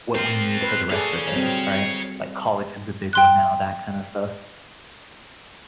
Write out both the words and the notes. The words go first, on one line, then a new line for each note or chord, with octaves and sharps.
what we need for the rest of the day, right? Like collagen is a big one now, that kind of stuff.
C4 F4 A#4
B4
G#4 A4 C#5 D5 F5
F#3 G3 C4
G5 C6 F#6